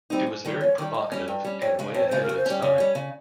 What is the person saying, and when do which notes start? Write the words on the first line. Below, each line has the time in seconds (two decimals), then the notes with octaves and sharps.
It was very provocative and way ahead of its time.
0.10 G3 C4 D#4
0.27 G#2
0.45 D#3 G3
0.61 G#2 C#5
0.78 D#3 G3
0.94 G2 D#5
1.12 G3 C#4
1.28 G2
1.45 G3 C#4
1.61 F2 C#5
1.79 C#3 G#3
1.94 F2 C#5
2.08 C#3 G#3 C5
2.23 A#4
2.29 C#3
2.37 C5
2.46 G3 C#4
2.61 C#3 C#5
2.78 G3 C#4
2.95 C#3